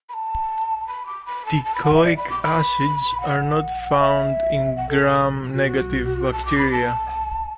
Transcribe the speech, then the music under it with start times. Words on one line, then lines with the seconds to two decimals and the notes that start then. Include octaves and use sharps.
Teichoic acids are not found in Gram-negative bacteria.
0.09 B5
0.14 A5
0.87 B5
1.06 D6
1.26 B5
1.45 A5
1.65 A5
1.75 B5
1.84 F#5
1.94 E5
2.04 D5
2.17 B5
2.30 D6
2.43 B5
3.21 F#5
3.99 E5
4.76 F#5
4.89 A4
5.55 F#4
6.32 A5
6.45 D6
6.58 B5
6.72 A5